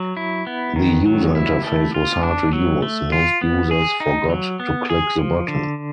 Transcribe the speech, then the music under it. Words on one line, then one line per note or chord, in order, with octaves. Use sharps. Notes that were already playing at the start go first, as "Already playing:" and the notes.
The user interface was hard to use - most users forgot to click the button.
Already playing: F#3
E4
B3
D#3
F#3
E4
A3
F4
D4
F#3
A3
F4
B3
G#4
D#4
F#3
B3
G#4
F3
D3